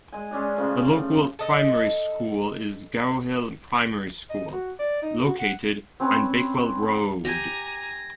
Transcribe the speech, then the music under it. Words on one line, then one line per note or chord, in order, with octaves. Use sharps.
The local primary school is Garrowhill Primary School, located on Bakewell Road.
G#3 G#5
G#3 C#4 D4 G#4
C#3 F3 A3
A4 D#5
D#5
F#4
D5
D#4
F#4
F#5
C4 C#4 B4
G4 G#5 A#5 G#6 A#6